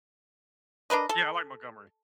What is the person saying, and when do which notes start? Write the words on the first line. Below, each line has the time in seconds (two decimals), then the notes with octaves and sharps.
Yeah, I like Montgomery.
0.90 D4 A#4 B4 D#5
1.09 A4